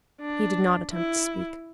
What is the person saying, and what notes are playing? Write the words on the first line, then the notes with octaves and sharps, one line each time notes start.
He did not attempt to speak.
D4
E4